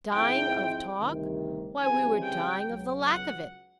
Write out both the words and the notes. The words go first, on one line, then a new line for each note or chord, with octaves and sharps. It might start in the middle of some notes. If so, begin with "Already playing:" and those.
Dying of talk?--why we were dying of the lack of it!
G#2 F3 G#3 C4 E4 G5
D2 C3 D#3 G3
C#3 E3 G3 C4 G#5
G5
C#2 B2 F#3
F#5